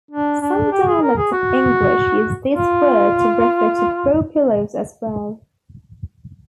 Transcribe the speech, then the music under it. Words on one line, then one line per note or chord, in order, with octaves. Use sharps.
Some dialects of English use this word to refer to throw pillows as well.
D4
D4
G4
G#4
A#4
G#4
F#4
F4